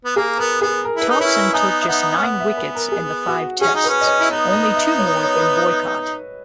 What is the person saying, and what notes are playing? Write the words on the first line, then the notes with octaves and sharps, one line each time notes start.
Thomson took just nine wickets in the five Tests, only two more than Boycott.
B3
A#3 G#4
B3 A#4
B3 G#4
A#4
E4
B4
D#4
C#4 E4 C#5
E5
B3 D#4 G#5
E5
B3 D#4 F#5
C#4
B3 F#5
E5
B4
A#4
G#4
F#4
C#4 G#4
D#4
B4
C#4
D#5
C#5
E4
B3 D#4 D#5
D#5
E5
C#5
C#5
B4